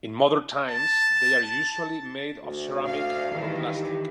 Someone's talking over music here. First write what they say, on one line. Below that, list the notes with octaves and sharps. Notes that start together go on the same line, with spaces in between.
In modern times, they are usually made of ceramic or plastic.
A5
D2
F5
G2 D#3 E3
G4